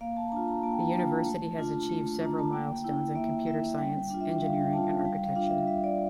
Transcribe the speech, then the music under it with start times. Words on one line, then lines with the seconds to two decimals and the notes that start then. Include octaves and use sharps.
The university has achieved several milestones in computer science, engineering and architecture.
0.01 A#3 F5
0.17 A5
0.28 A#5
0.32 D4 F4 A5
0.48 A#5
0.63 A#3 A5
0.72 G5
0.80 A5
0.95 D4 F4
1.26 A3
1.58 D4 F4
1.90 A3
2.21 D4 F4 A#5
2.39 A5
2.53 A#3 G5
2.84 E4 G5
3.16 A#3 E5
3.47 E4 E5
3.78 G3 G5
4.00 G5
4.10 D4 F4
4.21 E5
4.32 G5
4.42 G3 F5
4.61 G5
4.73 D4 F4 A5
4.99 F5
5.04 G3 G5
5.25 F5
5.35 D4 F4 F5
5.46 E5
5.67 G3 E5
5.84 D5